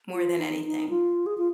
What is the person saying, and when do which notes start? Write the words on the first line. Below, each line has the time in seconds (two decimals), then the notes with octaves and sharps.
more than anything.
0.14 F4
0.39 D#4
0.65 D#4
0.89 F4
1.26 G#4
1.38 F4